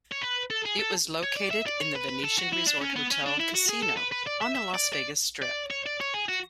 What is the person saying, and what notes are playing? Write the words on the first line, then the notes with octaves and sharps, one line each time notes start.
It was located in The Venetian Resort Hotel Casino on the Las Vegas Strip.
C#5
B4
A4
G#4
A4
C#5
D5
E5
D5
C#5
B4
B4
A4
F#4
E4
D4
C#4
B3
C#4
D4
E4
F#4
G#4
A4
B4
B4
D5
E5
E5
D5
D5
D5
C#5
D5
C#5
G#4
F#4